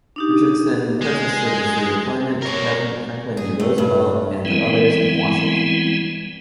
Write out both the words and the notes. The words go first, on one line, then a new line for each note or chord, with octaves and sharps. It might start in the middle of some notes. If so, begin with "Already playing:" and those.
Richardson protested this redeployment to President Franklin D. Roosevelt and to others in Washington.
D4 D#4 G4
G#3
A#4 C#5
G#4
A3
G2
E3 G3 G#3 B3 C4 E4